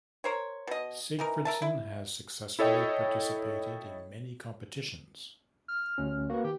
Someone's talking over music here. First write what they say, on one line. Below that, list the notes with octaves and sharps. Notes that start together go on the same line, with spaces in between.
Sigfridsson has successfully participated in many competitions.
A#4 C5 C#5
B2 D#5
E3 D#4 A#4
A#4 E5 A5
E4
E4 A4 C#5 D#5 G5
F6
D2 C#4
A#3 F#4 B4
D#3 G4